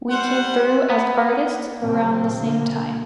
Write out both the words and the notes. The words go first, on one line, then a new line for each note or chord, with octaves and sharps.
We came through as artists around the same time.
G3 C5 F#5
B3
A#2 C#3 F#3 A3 C4
B2 D3 A#3